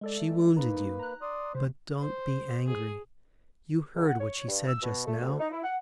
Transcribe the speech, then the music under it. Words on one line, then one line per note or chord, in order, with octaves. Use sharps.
She wounded you, but don't be angry. You heard what she said just now?
G#3 A4 D5
A3
A#3 D#4 B4
A#5 F#6
D5 C6 D#6
D2 C3 C5
C5
G#4
C#2
F#5
C#5
G2
E6
B2
A3
D2
D#4
E4
F#5